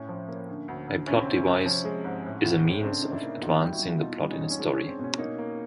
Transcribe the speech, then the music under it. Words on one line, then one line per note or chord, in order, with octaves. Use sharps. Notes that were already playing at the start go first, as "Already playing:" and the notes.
A plot device is a means of advancing the plot in a story.
Already playing: A2 C#4
F3
A#3
D3
D2
D2
C3 C#4
C4
C3
C#4
C3
C4
F3 C#4
G#3
G#2
A2
A2
A3
C#3 C4 D4
C#3 D#4
D4 E4
A#3
E2 D#4 F4
G3 G4
E4 F#4
G3
B2 D#4 F4
G3
C#4 D#4
E2
C#4
G#3 C4 D4
G#3 C#4
C4
B2 C#4
A#3 C#4 D#4
A#3